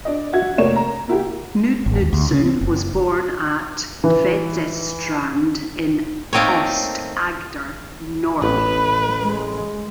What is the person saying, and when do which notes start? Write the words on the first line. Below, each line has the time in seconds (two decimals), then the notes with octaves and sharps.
Knud Knudsen was born at Tvedestrand in Aust-Agder, Norway.
0.05 D4 D5 D#5
0.33 F#4 E5 G#6
0.58 F1 A3 A#3 C#5 E7
0.76 A#5
1.08 A#3 E4 F#4 G4
1.86 G#1
2.01 D#2
2.13 D2
2.31 C#3
2.46 C4
2.61 F#1
4.04 E3
6.33 A3 A#3 C4 D#4 C#5
8.42 A1 B4
9.22 G#3